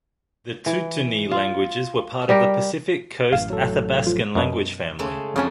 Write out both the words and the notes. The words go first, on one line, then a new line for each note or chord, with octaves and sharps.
The Tututni languages were a part of the Pacific Coast Athabaskan language family.
E3
F4
G3 G4 A#4
A1 F#2 A2 F5
F#3 A4
F3
F#2 B2
C#3 G#3 A3
F2 C#3 F#3 C#4 D#4